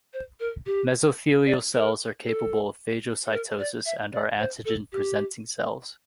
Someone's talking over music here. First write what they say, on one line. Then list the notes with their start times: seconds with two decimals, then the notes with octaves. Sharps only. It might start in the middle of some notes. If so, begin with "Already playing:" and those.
Mesothelial cells are capable of phagocytosis and are antigen presenting cells.
0.13 C5
0.40 A#4
0.66 G4
1.46 D5
1.74 A#4
2.26 A4
3.26 A4
3.33 A#4
3.59 D5
3.86 E5
4.12 D5
4.39 C5
4.65 A4
4.92 G4